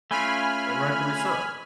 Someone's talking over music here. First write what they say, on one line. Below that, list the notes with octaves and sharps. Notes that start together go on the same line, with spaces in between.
And rightfully so.
A3 C#4 F4 G#5 B5 F6